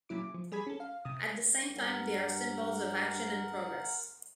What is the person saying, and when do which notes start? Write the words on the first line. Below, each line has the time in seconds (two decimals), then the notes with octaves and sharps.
At the same time, they are symbols of action and progress.
0.09 A#2 C#3 F#3 E4 D6
0.34 F3
0.52 G3 G#4 B5 G#6 B6
0.67 C#4 A4
0.80 F5
1.05 C3 D#6
1.76 G2 A#4 F#5